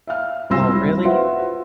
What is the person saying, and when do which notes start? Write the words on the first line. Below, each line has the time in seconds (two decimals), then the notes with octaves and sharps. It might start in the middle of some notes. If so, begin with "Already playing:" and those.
Oh, really?
0.07 E5 F5 F6
0.50 C2 C4 F4 C6 E6 A#6
0.72 G3 E4
1.04 F4 F#4 B4 C5 E5 F#5